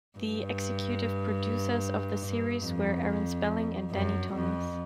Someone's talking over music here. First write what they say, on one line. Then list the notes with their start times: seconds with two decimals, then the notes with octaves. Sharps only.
The executive producers of the series were Aaron Spelling and Danny Thomas.
0.19 G2
2.27 G2
2.67 F2
3.92 F#2
4.34 F2